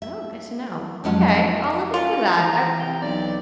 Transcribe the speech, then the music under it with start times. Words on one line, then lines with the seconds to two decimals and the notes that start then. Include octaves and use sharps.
Oh, good to know. Okay, I'll look into that. I
0.02 E5
1.04 F2 F#3 G#3 C#4 F#5 A5
1.94 C#4 F4
2.39 E3 A#5
2.80 C3 G5
3.02 B1 D5